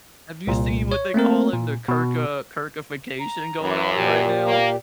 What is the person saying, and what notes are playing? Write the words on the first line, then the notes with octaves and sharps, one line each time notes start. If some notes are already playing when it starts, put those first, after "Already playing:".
Have you seen what they call in the Kirk, uh, Kirkification going on right now?
C2 A#2
C#5
A3 A#3 C4 A#4
A#2
B2
A#5
F#2
A#2 G4
A#3